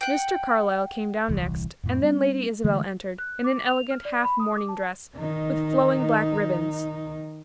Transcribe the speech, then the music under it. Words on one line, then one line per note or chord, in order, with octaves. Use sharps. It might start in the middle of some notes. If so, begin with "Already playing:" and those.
Mr. Carlyle came down next; and then Lady Isabel entered, in an elegant half-mourning dress, with flowing black ribbons.
F#5 G5
D#1 C2 E3
F2 A2
G3 C4 D4
D3 E3 G#3 A3
F#6
D6
F7
F6
D5
B5
D#6
D6
A5
D#3 D#4